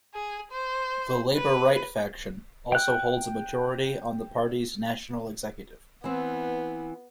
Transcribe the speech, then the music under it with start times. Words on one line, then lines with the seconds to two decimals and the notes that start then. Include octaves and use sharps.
The Labor Right faction also holds a majority on the party's National Executive.
0.14 G#4
0.51 C5
1.34 B4
2.72 G5 F#6
6.04 E3 B3 C4